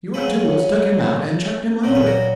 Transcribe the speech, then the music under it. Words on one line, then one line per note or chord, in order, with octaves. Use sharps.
Your tools took him out and chucked him under.
C#3 F#3 G#4 B4
A#2 F#3 A#4
B4
F#4 A#4